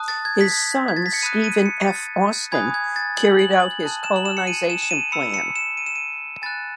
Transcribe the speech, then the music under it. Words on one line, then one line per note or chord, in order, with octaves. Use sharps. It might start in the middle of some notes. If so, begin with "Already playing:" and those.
His son Stephen F. Austin carried out his colonization plan.
Already playing: A5 D#6 F#6
A6
G#6
B6
G#6
A6
B6
C#7
B5 D#6 F#6 D#7
D#7
C#7
A6
G#5 B5 D#6 F#6 G#6
G#6
A6
F#7
F#7
F#7
A5 D#6 F#6
E7
F#7
E7
C#7
D#7
E7
E7
D#7
B5 E6 C#7
C#7
E7
D#7
E7
D#7
G#5 B5 F#6 A6